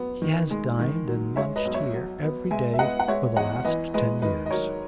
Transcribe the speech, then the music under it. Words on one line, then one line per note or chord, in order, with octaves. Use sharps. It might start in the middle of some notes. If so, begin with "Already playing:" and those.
'He has dined and lunched here every day for the last ten years.
Already playing: F#3 B3
D#3
G#3
D#3
F#3
G#3 C#5 E5
B4 D#5
B1
C#5 E5
F#3
B3
G#3 E5 G#5
E5
B3 D#5 F#5
F#5
G#3 C#5 E5
E2 D#5 F#5
E3 B4 D#5
G#3 B4 D#5
D#3 B4 D#5
D#5
F#3 A#4 C#5